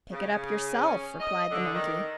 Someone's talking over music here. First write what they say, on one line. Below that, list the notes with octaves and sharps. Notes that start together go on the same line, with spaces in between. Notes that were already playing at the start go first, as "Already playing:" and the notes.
"Pick it up yourself," replied the monkey.
C#3
C#4
D#5
D3
D#3